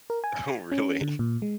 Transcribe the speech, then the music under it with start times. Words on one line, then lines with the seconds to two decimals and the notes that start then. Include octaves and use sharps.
Oh, really?
0.10 A#4
0.24 G#5
0.72 C#4
1.01 D3
1.19 A#2
1.42 G#3